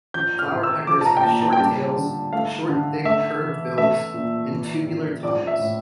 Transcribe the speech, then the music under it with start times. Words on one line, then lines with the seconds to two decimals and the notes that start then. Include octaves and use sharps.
Flowerpeckers have short tails, short thick curved bills and tubular tongues.
0.14 F3 G6
0.39 F6
0.51 C3
0.63 E6
0.87 F3 D6
1.01 A5
1.06 A#5
1.17 G5
1.23 A#2 A5
1.41 A5
1.53 G5
1.60 G3 A5
1.96 D3
2.33 A3 F5
2.69 D3
3.05 A3 E5
3.42 E3
3.78 A3 E5
4.14 A#2
4.50 E3
4.87 C3
5.23 F3 D5
5.47 E5
5.59 A2